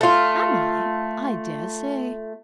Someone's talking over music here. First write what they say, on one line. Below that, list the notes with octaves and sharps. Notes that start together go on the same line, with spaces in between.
'Am I? I dare say.
A3 F4